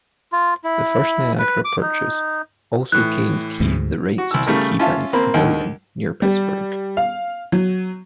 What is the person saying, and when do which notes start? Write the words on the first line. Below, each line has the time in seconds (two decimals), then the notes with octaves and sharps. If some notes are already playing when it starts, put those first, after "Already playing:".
The First Niagara purchase also gained Key the rights to KeyBank Pavilion near Pittsburgh.
0.32 F4
0.64 E4
1.38 B4
1.65 D6
1.82 D#4
2.92 A2 E3 F#6
3.60 D2 G#2
4.18 F#4
4.31 C2 E6
4.46 C#3 G3 A3 A#4
4.79 C#4 F4 E5 F5 A5
5.13 A#3 C4 B5
5.34 D#2 D3 D#3
6.22 G3
6.97 F5
7.52 F#3